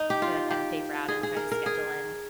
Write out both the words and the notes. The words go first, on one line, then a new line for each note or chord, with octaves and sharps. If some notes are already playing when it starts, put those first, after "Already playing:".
get a pen and paper out and try to schedule in
Already playing: D#4
G4
F4
G4
G#4
G#4
A#4
A#4
G#4